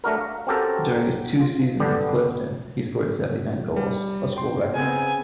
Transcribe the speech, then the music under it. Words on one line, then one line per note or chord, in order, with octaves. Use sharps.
During his two seasons at Clifton, he scored seventy-nine goals, a school record.
A3 D4 F#4 A#4
F5
C4 C#4 F#4 G4 A4 A#4
F4
G2 D3 B3 D4 G4
G3
G5 C6
C#3 B3 C4 G#5